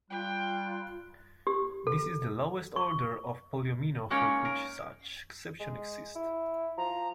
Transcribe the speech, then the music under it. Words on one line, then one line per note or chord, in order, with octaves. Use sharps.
This is the lowest order of polyomino for which such exceptions exist.
G3 F4 G5 F#6
G4
A4
C#6
G#3 A#3 C#4 D#4 A#4 C#5
A#4
G#3
E4
F3 A#5